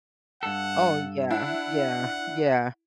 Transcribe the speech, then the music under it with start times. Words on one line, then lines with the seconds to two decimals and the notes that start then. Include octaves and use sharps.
Oh, yeah, yeah, yeah.
0.43 G2 A4 F#5
1.31 D4 E4 F#5